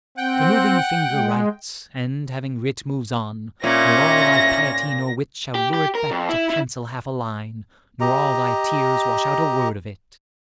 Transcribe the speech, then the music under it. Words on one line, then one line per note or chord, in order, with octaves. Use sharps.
The Moving Finger writes; and, having writ, Moves on: nor all thy Piety nor Wit Shall lure it back to cancel half a Line, Nor all thy Tears wash out a Word of it.
C4 F#5 G5
G#3
A#2 C#4 E5 A#6
G4
G4
A#4
F2
E4
E4
G4 D#5 A#5